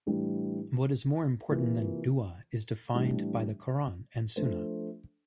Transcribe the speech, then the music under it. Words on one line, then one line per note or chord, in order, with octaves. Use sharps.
What is more important than du'a is defined by the Quran and Sunnah.
A2 E3 G3 D4
C3 E3 A#3 F4
A2 E3 G3 D4
F3 A3 D4 A4 C5